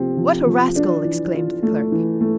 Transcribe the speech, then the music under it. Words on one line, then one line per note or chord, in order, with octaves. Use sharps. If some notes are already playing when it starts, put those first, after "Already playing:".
"What a rascal!" exclaimed the clerk.
Already playing: C3 F3 C4
F3
F3
D4
E3
F4
A3
E3
A3